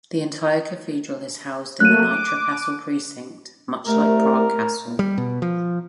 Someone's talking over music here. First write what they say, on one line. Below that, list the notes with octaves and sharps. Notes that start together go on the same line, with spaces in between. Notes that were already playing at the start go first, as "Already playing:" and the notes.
The entire cathedral is housed in the Nitra Castle precinct, much like Prague Castle.
F#3 A3 A#3 F#6 D#7
D6
C2 A3 A#4
G3
B2
F3